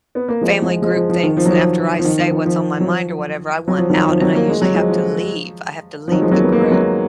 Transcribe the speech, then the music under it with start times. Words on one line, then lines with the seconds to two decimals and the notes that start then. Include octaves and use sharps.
family group things. And after I say what's on my mind or whatever, I want out, and I usually have to leave. I have to leave the group.
0.15 B3
0.28 A#3
0.41 F3 G#3
0.62 F3 G#3
0.82 F3 G#3
0.96 F3
1.09 F3
1.23 D#3
1.37 F3
1.46 F#3
1.51 F3
2.00 F3
2.04 D#3
2.18 F3
2.31 D#3
2.45 F3
2.80 F#3
2.86 F3
3.68 F#3
3.78 F3
3.90 D#3 F#3
4.08 F3
4.21 D#3 F#3
4.35 A#3
4.49 G#3
4.62 F#3
4.75 F3 G#3
4.90 F3
6.08 F3
6.12 D#3 F#3
6.22 F3 G#3
6.31 F#3 A#3
6.43 B3
6.52 A#3
6.62 G#3
6.72 F#3 A#3